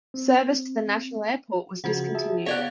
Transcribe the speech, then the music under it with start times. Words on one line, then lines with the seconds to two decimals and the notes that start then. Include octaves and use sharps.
Service to National Airport was discontinued.
0.14 C4
1.84 C#3 F3 F4 F#4 F#5
2.14 G#4 E5 A5
2.46 B3 C#5 D5 F5 F#5 G#6 A6 B6